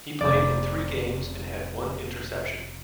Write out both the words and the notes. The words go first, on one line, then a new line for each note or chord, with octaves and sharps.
He played in three games and had one interception.
F1 D5 G6